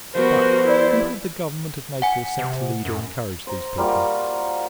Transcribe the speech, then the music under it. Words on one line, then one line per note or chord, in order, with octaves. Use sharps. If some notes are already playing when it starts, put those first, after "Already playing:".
But, who have the government of Naples sent to lead or encourage these people?
F3 G3 B3 F#4 A#4 C5
E4 D5
F#5 G#5
C3
F#2
C5 A#5
G3 A#3 F4 F#4